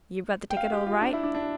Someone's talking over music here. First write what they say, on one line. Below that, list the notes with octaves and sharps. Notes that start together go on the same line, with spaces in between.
"You've got the ticket all right?"
G5
F5
G4
F4
D4
E4
D4
D4